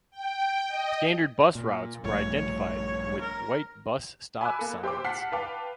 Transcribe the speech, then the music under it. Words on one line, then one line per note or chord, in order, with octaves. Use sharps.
Standard bus routes were identified with white bus stop signs.
G5
D#5
A#2
A#1 G2 A3 C#5
A#4
G#5 B5 D6 E6 F#6
A#3 A4
G4 C5 G5 C6 D6
F#5 A5 F6 B6 C7
B4 F5 G5 A5 D6